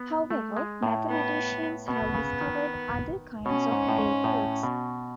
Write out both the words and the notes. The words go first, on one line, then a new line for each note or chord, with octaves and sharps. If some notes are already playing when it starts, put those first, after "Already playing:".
However, mathematicians have discovered other kinds of Gray codes.
Already playing: B3
A3
G#3
A2
B3
B2 B3
C#3
D#3
B2 C#4
G#2
A2
G#2
A2
B2